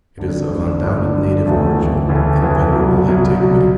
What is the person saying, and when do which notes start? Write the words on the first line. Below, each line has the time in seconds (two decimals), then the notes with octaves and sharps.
It is of undoubted native origin and venerable antiquity.
0.18 G#1 G2 D3
0.50 G#1 G2 D3
0.81 G#1 G2 D3
1.13 G#1 G2 D3
1.46 E1 D2 C#3 E3 A3
1.77 E1 D2 C#3 E3 A3
2.09 E1 D2 C#3 E3 A3
2.42 E1 D2 C#3 E3 A3
2.72 C2 B2 F#3
3.04 C2 B2 F#3
3.37 C2 B2 F#3